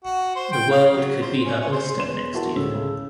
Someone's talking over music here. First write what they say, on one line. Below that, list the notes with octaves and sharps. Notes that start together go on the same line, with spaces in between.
The world could be her oyster next year.
F#4
C5
G5
F5
F#3
C5
C#4
C#4
C5
E1 B4 C6 E7
E4 F#4 A#4 F#5 A5 C6
D2 A2 G#3 E6
C#3